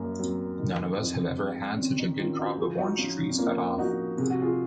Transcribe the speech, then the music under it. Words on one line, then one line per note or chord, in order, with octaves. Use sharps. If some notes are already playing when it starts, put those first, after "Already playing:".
None one of us has ever had such a good crop of orange trees cut off.
Already playing: F#2 F#3 A#3
F#3 C4
D#3
F2
G#3
C#4
D#3 C4
C4 D#4
D#3 C#4 F4
D#4 F#4
F3 F4 G#4
D#4 F#4
F3 C#4 F4
C4
F3 A#3 C#4
F3 D#4 F#4
C3 G#4
F#4
F4 G#4